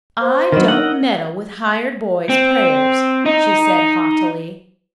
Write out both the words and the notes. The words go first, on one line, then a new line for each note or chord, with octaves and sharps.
"I don't meddle with hired boys' prayers," she said haughtily.
C5
D#3 F#3 D4 A#4 D#5 B5
D#4 D#5 F#5 E6
C4
D#4